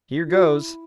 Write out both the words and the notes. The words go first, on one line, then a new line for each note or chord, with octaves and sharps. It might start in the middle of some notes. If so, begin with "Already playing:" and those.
"Here goes!"
E4
F#4
E4